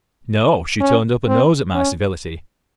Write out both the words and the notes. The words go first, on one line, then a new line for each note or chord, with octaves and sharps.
No, she turned up her nose at my civility.
C#4
C4
C#4